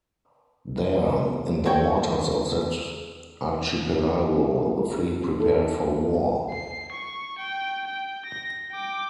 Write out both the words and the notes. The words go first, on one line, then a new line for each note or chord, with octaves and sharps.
There, in the waters of that archipelago, the fleet prepared for war.
F#4 A4 C#5 G5
A4
C7
C#6
G5
G5
A#6
G5 D6